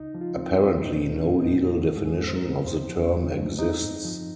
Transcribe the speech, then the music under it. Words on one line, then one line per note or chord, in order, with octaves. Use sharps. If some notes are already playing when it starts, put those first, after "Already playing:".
Apparently, no legal definition of the term exists.
Already playing: C#2 D#4
F3
F4
C4
C#4
C4
A#2 D#4
A#2
C#4
A#2
D#4
A#2
G#2 F#4
G#2
G#4
G#2
C5
A#4
C4
F#2 C5
F3
C#4
F3
D#4
F#2
C4 D#4
G#2
F3